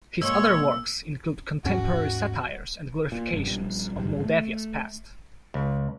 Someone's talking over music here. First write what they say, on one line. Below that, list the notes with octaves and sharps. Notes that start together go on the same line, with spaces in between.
His other works include contemporary satires and glorifications of Moldavia's past.
A#2 G#3 C#5 E6
D#2 G#2 C#4 F#4
A#2
F1 G2
A#1 G3
G#1 E2 G2 G3
A3
C#2